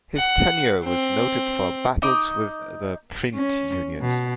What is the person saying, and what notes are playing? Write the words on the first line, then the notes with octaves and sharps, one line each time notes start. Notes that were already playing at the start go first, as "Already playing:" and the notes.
His tenure was noted for battles with the print unions.
F#5
C4
D#4 D#5 D6
C#4
B2